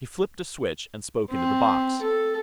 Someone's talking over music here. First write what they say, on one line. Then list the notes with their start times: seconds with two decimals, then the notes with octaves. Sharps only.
He flipped a switch and spoke into the box.
1.30 C4
2.02 A4